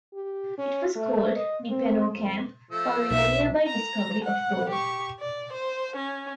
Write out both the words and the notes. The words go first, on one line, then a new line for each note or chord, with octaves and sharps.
It was called "Nippeno Camp" following a nearby discovery of gold.
G4
C#4
A3
D#5
C4
F2
F3 A3 E6
B1 E5
A#5
F#5
G4 C#6
D5
C5
C#4